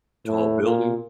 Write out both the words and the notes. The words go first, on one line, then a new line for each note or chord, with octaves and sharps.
Tall building.
A2
A#2